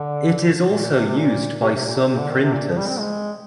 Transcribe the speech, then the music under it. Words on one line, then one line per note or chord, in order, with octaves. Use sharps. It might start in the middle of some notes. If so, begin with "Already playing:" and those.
It is also used by some printers.
Already playing: D3
A#2
A#2
C3
C3
A#2
C3
C3
A#2
C3
C3
D3
D#3
C3
A#2
F3
G3
C4
G#3